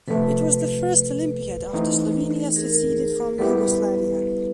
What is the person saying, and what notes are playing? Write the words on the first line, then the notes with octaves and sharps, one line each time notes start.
It was the first Olympiad after Slovenia seceded from Yugoslavia.
C3 F3 A3 A4 B4
E3 A3 C4 D#4
G#4 A#4
G3 B3 E4 G4 A4 B4